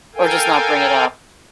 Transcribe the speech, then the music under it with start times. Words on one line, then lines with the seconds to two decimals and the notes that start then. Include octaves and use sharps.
Or, just not bring it up.
0.15 A4 A#4 F5 G5 G#5